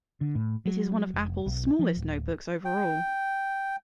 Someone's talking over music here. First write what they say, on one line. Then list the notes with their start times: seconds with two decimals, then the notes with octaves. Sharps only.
It is one of Apple's smallest notebooks overall.
0.21 D3
0.35 A2
0.66 F#3
1.14 F1
1.46 B1
1.79 F3
1.97 D1
2.65 G5